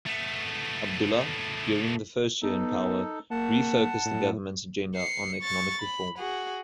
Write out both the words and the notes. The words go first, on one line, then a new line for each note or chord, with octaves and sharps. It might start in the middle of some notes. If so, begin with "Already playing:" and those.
Abdullah, during the first year in power, refocused the government's agenda on economic reform.
A3 B3
B3 D#4 A4
A#3 F#5 A5
A2
C7 C#7
C#6 A6
B5
F#4 G#4